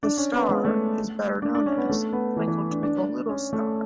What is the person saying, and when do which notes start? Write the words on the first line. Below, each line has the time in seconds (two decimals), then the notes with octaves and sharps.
"The Star" is better known as "Twinkle Twinkle Little Star".
0.03 D4
0.17 C#4
0.34 B3
0.49 G#3
0.65 A3
1.42 D4
1.55 D4
1.66 C#4
1.77 B3
1.89 A3
2.13 B3
2.37 E3
2.48 E3
2.71 D4
2.83 D4
3.29 C#4
3.53 A3